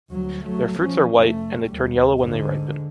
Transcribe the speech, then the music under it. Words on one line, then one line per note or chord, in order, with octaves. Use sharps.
Their fruits are white, and they turn yellow when they ripen.
D2 F#3
F#3 A3
F3 C#4
F1 A3
D#2 G3
G#2 D3